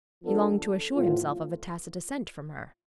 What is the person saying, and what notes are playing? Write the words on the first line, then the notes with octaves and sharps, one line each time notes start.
He longed to assure himself of a tacit assent from her.
F3 B3 D4 A4
A2 F3 B3 F4